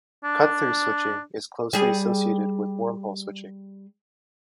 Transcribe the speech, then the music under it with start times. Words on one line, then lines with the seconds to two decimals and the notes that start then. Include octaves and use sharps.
Cut-through switching is closely associated with wormhole switching.
0.24 D4
1.73 G3 G#4